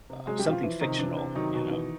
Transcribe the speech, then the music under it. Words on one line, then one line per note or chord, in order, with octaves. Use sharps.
uh, something fictional, you know.
C3
F#3 G#3 G#4
G3 G4
B2
F3 F4
E3 F3 E4
C3 D#3 D#4
E3 D4
C3
D#3 F#3 D#4
B2
E3